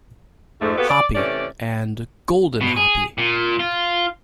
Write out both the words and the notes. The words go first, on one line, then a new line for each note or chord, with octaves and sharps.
"Hapi" and "Golden Hapi".
F2 G#2 A3
A#3 B3 F#4 G4 A4 B4
D5
C3 E3 A3 C#4 D5
B2
G#4
A#2
F4